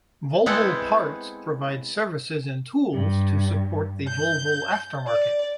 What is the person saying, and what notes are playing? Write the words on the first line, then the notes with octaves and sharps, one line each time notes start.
Volvo Parts provide services and tools to support the Volvo aftermarket.
G#3 B3 C4 E4 A4
G2
G6
D5